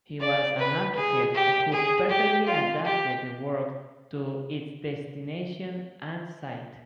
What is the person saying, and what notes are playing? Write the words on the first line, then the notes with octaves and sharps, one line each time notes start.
He was an architect who perfectly adapted the work to its destination and site.
D5
B4
G#4
G4
G#4
G4
F4
G4